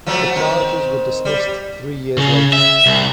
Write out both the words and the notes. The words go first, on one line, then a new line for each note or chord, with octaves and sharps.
The charges were dismissed three years later.
F3 F#3 A3
D#3 C4
G3
C#3
E5
C2